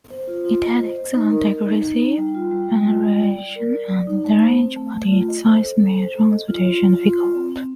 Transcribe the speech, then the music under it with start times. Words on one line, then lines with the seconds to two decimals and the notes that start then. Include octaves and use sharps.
It had excellent accuracy, penetration and range, but its size made transportation difficult.
0.10 C5
0.28 F4
0.45 F4
0.62 D#5
0.79 C5
0.96 D#5
1.14 D#4
1.31 A#4
1.48 D#5
1.66 D#4
1.82 D#4
2.00 D#4
2.18 G3
2.35 F4
2.52 G3
2.69 G3
2.86 F4
3.04 G3
3.21 D5
3.38 D5
3.56 A#4
3.73 D5
3.90 D5
4.07 D#4
4.24 A3
4.42 C5
4.59 C4
4.76 A3
4.93 A3
5.11 F4
5.28 D#5
5.46 C5
5.63 A4
5.80 A4
5.97 C5
6.14 A4
6.31 D#5
6.48 F4
6.66 F4
6.83 F4
7.01 F4
7.18 F4
7.35 C4
7.52 C4